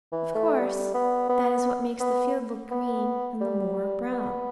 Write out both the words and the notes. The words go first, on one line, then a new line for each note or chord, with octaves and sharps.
Of course: that is what makes the field look green and the moor brown.
E3
A3
G3
B3
B3
B3
B3
G3
B3